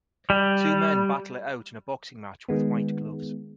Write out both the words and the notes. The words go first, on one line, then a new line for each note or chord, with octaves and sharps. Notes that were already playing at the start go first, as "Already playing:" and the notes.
Two men battle it out in a boxing match with white gloves.
G3
D#3 G#3 B3